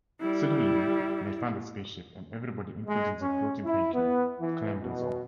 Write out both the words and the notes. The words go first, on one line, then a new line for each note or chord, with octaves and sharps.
Suddenly, they find a spaceship, and everybody, including the floating pancake, clambers on.
G3 E4
G#3
C#4
E4
B3
E3
B2